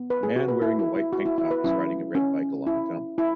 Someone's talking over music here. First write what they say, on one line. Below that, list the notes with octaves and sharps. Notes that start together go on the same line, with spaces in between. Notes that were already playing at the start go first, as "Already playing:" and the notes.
A man wearing a white tank top is riding a red bike along a jump.
Already playing: B3
B4
G#4
F#4
B4
E4
E4
E4
F#4
E4
E4
B4
F#3 C#4 E4
C#4
E4
E4